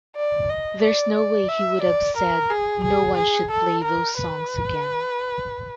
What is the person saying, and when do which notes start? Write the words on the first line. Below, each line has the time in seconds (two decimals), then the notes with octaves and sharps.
There's no way he would have said 'No-one should play those songs again.
0.16 D5
0.49 D#5
0.82 D5
1.16 D5
1.49 E5
1.83 D5
2.17 A#4
2.50 G#4
2.84 G#4
3.17 G#4
3.51 A4
3.84 A#4
4.18 B4